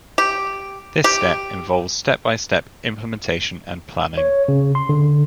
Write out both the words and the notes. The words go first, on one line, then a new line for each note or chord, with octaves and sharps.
This step involves step-by-step implementation and planning.
G4
G4
C#5
C#3
C6
D3